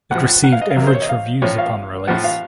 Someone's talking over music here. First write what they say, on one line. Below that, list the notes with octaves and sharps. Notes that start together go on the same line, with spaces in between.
It received average reviews upon release.
A2 F3 F#5
F#5
F5
D#5
F5
C3 F#3 A#4
C5
C#5
D#5
F5
A2 F3 C#5
F5
A2 F3 F#5
F5